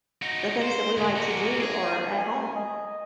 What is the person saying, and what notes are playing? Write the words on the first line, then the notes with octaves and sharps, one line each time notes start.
the things that we like to do are at home,
D#4 F#4
C5
D2 A2
A#3 F#4
G#4
G#5
D#5